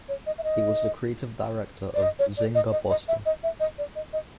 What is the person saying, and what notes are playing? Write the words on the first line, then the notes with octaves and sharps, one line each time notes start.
He was the creative director of Zynga Boston.
C#5
D#5
E5
D#5
D5
D#5
C#5
D5
D#5
D#5
D#5
E5
D#5
E5
D#5
D5
D#5
D#5